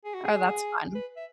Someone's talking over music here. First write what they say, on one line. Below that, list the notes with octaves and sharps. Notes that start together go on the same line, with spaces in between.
Oh, that's fun.
G#4
F#4
G#4
B4
E5